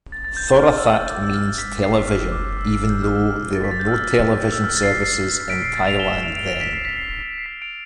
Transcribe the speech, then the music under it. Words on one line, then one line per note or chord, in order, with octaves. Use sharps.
"Thorathat" means "television" even though there were no television services in Thailand then.
A6
A6
G6
F6
E6
F6
D6
E6
F6
G6
B6
C7
F6
D6
E6
E6
G6
F6
E6
F6
A6
B6
A6
G6
E6
F6
E6
F6
A6
C7
B6
C7
B6 D7
C7
A6
D7 F7
E7 G7
E7 G7
D7 F7
D7 F7
D7 F7
B6 D7
C7
B6
C7
C7
B6 D7
D7 F7